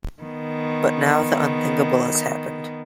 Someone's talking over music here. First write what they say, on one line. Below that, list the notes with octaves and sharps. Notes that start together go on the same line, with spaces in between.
But now, the unthinkable has happened.
D#3 B3